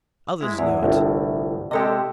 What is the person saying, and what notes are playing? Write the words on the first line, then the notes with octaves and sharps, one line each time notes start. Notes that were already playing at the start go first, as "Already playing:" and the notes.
Others know it.
G#3 E4
E2 E4
G1 C2 A2
C3 G#3 G4 A4 D#5